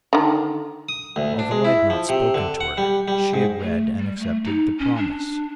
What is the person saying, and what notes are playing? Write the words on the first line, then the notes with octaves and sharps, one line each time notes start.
Although I had not spoken to her, she had read and accepted the promise.
D3 D#3
D#6
D2
D4
G#3
E4
F3
C3
D3
F#5
G3
G3
G#2
A3
G3
A3
D#4
C#4
D4